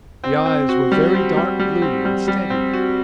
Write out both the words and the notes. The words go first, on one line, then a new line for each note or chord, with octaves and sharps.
The eyes were very dark blue and steady.
C4
C4
F#4
G3
C4
G3
G3
C4
G3
G3
C4
F#4